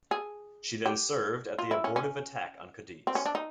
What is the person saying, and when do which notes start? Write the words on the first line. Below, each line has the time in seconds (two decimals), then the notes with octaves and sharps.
She then served at the abortive attack on Cadiz.
0.11 G#4
0.86 G4
1.59 F4
1.71 E4
1.84 C#4
1.96 C#4
3.07 C4
3.15 C#4
3.26 D4
3.35 D#4